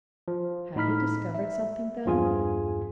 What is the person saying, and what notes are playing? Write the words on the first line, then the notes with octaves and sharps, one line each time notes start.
Had he discovered something then?
F3
A2 D#4 B5 F6 B6
E5
E2 G2 F3 F4 G#4 G#5